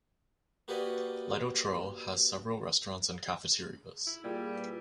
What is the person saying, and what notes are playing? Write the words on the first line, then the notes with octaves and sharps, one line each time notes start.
Litochoro has several restaurants and cafeterias.
A#3 F#4 G4 B4 D5 D#5
E4
A#2 G3 G#4
E4 B4